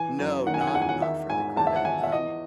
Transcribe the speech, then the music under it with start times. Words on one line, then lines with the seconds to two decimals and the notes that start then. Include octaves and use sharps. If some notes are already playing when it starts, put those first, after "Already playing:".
No not not for the credit, um,
Already playing: E3 G#5
0.19 F#2
0.46 D#3 F#5
0.54 G#5
0.61 F#5
0.67 G#5
0.74 E2 F#5
0.82 G#5
0.89 F#5
1.02 D#3 E5
1.30 G#2 G#5
1.57 E2 A5
1.67 E5
1.76 F#5
1.85 E2 G#5
2.03 E5
2.12 E3 D#5